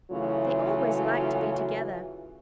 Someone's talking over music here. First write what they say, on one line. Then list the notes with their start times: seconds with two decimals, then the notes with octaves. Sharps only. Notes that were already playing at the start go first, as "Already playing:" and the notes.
They always like to be together!
0.11 C#3 E3 F#3 A3 F4 F#4